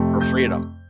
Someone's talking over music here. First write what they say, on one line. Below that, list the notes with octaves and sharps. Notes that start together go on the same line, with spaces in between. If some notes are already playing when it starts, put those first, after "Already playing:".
her freedom.
Already playing: F2 C3 A3 C4
G6